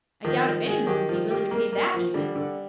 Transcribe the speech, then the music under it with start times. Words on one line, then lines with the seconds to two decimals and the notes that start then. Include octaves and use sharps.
I doubt if any one would be willing to pay that, even.
0.24 D#3 F3
0.45 F3
0.66 G#3
0.87 D#3 G4
1.09 F3
1.30 G4
1.51 A#3
1.73 A#3
1.94 F3
2.14 D3 G3
2.36 D3